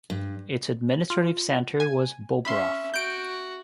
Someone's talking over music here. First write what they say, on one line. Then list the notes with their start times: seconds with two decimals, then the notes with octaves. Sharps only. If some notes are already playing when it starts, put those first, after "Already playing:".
Its administrative centre was Bobrov.
0.10 G2
1.10 F4
1.80 G#5
2.45 C#4 E5 B5 C6
2.94 F#4 G6 D7